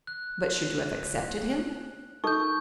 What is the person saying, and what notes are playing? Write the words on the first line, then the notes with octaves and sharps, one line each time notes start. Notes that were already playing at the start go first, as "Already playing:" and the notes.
"But should you have accepted him?"
F#6
D#4 A4 A#4 C#6 G6